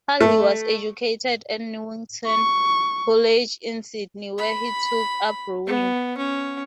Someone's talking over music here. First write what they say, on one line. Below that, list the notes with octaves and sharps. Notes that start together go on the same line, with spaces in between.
Hardy was educated at Newington College in Sydney where he took up rowing.
A3
C#6
B5
B3
C#4